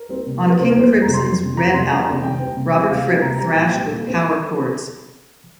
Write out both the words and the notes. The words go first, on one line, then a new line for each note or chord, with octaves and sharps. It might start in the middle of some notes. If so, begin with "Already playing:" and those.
On King Crimson's "Red" album, Robert Fripp thrashed with power chords.
Already playing: A#4
G3 C4
C3
G3 C4
A#4
C3 C5
A#4
G3 C4 C5
F2
A#5
C3 G3
C6
F2
C3 G3
F2 A#5
C3 G3 C6
F2 A#5
C3 G3
C3 G5
G3 C4
C3
G3 C4
C3 F5
G3 C4
C3 A#5
G3 C4 A#5
A#2 G5
G3 C4
A#2
G3 C4